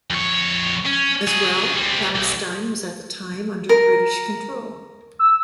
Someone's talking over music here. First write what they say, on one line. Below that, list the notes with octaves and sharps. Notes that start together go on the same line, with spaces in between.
As well, Palestine was at the time under British control.
F2 C#5
C#4
F#3 G#4
G3 C4
B1
A#4
E6